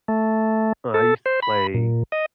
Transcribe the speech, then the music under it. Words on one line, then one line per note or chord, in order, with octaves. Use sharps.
I used to play,
A3
A4
C5
B5
A#2
D#5